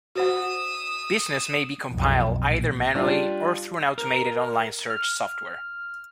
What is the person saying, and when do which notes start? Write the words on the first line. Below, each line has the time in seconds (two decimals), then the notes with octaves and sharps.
Business may be compiled either manually or through an automated online search software.
0.16 F#4 C5 F#5 D#6 E6
1.91 B1 F2
2.44 A#1
2.95 G3 D4 F4
3.98 A#4
4.90 F6